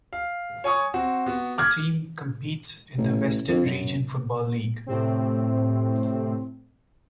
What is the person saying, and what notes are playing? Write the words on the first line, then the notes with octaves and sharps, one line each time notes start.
The team competes in the Western Region Football League.
F5
C#5 G#5 C#6 D#6
C4 F#4
B3 F#4
D6 F6 F#6 G#6
A1
F2
F#2
A2 C3 C4